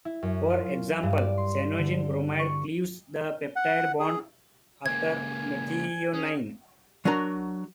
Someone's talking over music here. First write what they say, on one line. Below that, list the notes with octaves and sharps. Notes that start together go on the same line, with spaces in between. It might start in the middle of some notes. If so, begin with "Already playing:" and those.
For example, cyanogen bromide cleaves the peptide bond after a methionine.
E4
F#2
F4
G2
D5
C6
D3
C#6
F#5
G#4
C#2 A#3 G#5 G#6
C#4 G#4
F#3 D4 F#4 A#4 A#5